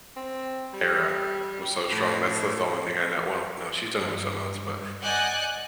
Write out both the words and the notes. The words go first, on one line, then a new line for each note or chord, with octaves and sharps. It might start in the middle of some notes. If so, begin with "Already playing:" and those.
era was so strong, that's that's the only thing I know well, no, she's done it with something else, but
C4
G3
A2
G2
D5 D#5 F#5 G#5 F#6 G6